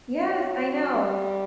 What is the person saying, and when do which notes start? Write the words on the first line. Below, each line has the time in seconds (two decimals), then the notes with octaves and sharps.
Yes, I know,
0.21 F#3
0.93 G3